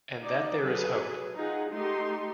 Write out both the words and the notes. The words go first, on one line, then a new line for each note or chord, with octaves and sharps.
And that there is hope.
D#4 D5 D#5
F#3 G#4 A4 B4
D#4 F4 G#4 F#5
A3 D#4 G4 C6